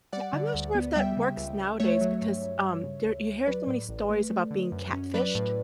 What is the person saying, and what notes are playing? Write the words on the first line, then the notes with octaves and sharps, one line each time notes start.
Yeah, I'm not sure if that works nowadays because, um, there you hear so many stories about being catfished.
G3 D5 F#5
D3
D2
B3
G3 E5 G5
C#3
C#2
C#2
A3 C#5 E5
F#3
G2
G2
G3
C#3
D2
D2
F#3 B4 D5
A2
A1
A3
A3
D3
F#2
C#4
F#3 B4 D5
A2